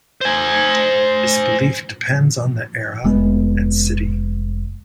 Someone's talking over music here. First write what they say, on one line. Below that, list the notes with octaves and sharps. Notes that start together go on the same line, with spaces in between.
This belief depends on the era and city.
C5 G#5
F1 G#3 B3